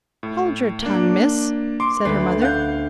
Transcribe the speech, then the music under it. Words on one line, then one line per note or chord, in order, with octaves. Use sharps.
"Hold your tongue, miss!" said her mother.
A2
A#3 D4
C6 D6
D2 C#4 B4 C7
B3 F5 F#5 G6